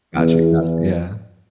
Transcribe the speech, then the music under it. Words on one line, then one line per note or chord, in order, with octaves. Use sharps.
Gotcha, gotcha. Yeah.
E2